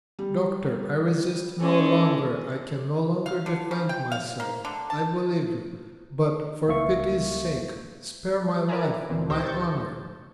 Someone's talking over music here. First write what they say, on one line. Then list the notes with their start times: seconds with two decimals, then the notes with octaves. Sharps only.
"Doctor, I resist no longer--I can no longer defend myself--I believe you; but, for pity's sake, spare my life, my honor!"
0.19 G3
1.60 G#3 C#4 A4
3.26 F5
3.46 D3
3.71 C#3
3.89 G5
4.12 F5
4.40 A#3
4.65 D3
4.90 A5
6.68 C#2 A#3 E5 F5 C#6
8.68 A#4 B4 D5 E5 G#5 A#5
9.09 D2 A#2 D#3 E3 C4
9.30 C#2 G4 C5 E6 G6 A#6
9.44 C#6 G6 A6